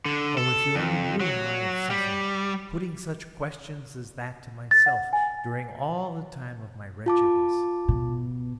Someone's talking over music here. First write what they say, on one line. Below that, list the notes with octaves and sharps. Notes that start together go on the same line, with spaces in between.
Oh! if you only knew how I have suffered, putting such questions as that to myself during all the time of my wretchedness.
D3
A4
F2
F#3
G3
A6
F#5
G#5
F4 A5 D6
B2